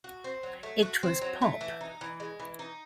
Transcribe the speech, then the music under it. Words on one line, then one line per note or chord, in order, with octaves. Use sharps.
It was pop.
F#4
C4
F#3
A3
F#4
C4
F#3
A3
E3
D#4
E3
G#3
E3
D#4